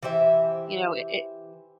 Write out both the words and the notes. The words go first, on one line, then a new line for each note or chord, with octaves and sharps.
you know? I it
E3 G4 C5 E5